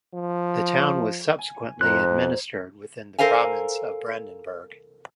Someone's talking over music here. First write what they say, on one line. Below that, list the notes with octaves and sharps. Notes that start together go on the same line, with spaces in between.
The town was subsequently administered within the Province of Brandenburg.
F3
G#5
F2 A#4 C5 F#6
A4 A#4 C5 F5 G#5